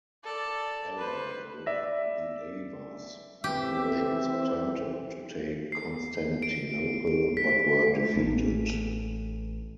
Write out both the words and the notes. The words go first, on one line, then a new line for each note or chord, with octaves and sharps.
Allied with the Avars, the Persians attempted to take Constantinople, but were defeated.
A4 D5
B4 C5
D5 E5 A#6
E3 C4 G4 E5
C7
D7
B6
A1 A3